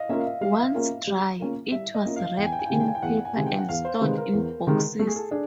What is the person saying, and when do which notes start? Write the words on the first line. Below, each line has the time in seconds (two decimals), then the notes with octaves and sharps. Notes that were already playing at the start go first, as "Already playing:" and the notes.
Once dry, it was wrapped in paper and stored in boxes.
Already playing: D#5 F5
0.09 A#3 C#4 F4 A#4 E5
0.20 F5
0.26 E5
0.41 G3 F5
0.52 E5
0.64 F5
0.74 A#3 C#4 F4 A#4
1.07 G3
1.40 A#3 C#4 F4 A#4
1.72 G3 E5
1.94 D#5
2.05 A#3 C#4 F4 A#4
2.16 F5
2.37 E2 G5
2.45 G#5
2.52 G5
2.59 G#5
2.66 G5
2.70 C3 D#3 G#3 G#5
2.80 G5
2.88 G#5
2.95 G5
3.03 E2 F#5
3.25 G#5
3.35 C3 D#3 G#3 G#5
3.46 G5
3.59 F#5
3.69 E2 F5
3.85 C5
4.01 C3 D#3 G#3 B4
4.17 A#4
4.33 E2
4.67 C3 D#3 G#3
4.99 A3 A4
5.07 G#4
5.16 A4
5.31 D4 G#4